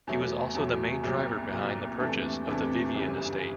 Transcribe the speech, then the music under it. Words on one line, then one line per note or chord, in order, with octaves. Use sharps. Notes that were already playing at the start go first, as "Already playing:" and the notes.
He was also the main driver behind the purchase of the Vivian estate.
E2 B2 F#3 A3
E2 B2 F#3 A3
C2 A#2 F#3
C2 A#2 F#3
E2 C3 E3 A3 D4
E2 C3 E3 A3 D4
G1 F#2 C#3 E3 G3